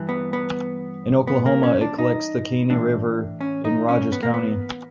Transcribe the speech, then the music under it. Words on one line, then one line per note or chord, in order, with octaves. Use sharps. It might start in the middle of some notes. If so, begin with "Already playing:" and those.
In Oklahoma it collects the Caney River in Rogers County.
Already playing: G2 E3
B3
B3
B3
A#3
C#4
D4
D#4
A2 E3 D4
C#4
D#4
C#4
B3
A#3
B3